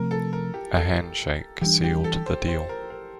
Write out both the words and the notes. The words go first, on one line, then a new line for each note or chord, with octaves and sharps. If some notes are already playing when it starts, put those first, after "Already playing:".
A handshake sealed the deal.
Already playing: C3 F3 A3 C4 A#4
A4
A#4
G4
A4
E3 G3 D4 G4
G4
A4
C5
C5
A#4
A#4